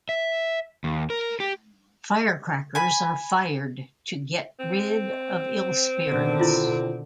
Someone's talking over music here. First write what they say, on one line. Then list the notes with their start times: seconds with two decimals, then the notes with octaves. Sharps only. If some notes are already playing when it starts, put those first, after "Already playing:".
Firecrackers are fired to get rid of ill spirits.
0.09 E5
0.84 D#2
1.10 A#4
1.40 G4
2.75 G#5 B5
4.59 C4
6.09 B2 D3 D#3
6.40 E4 F4